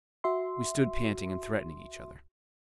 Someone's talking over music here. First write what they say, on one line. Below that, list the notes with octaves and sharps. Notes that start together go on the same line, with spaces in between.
We stood panting and threatening each other.
F#4 E5 C6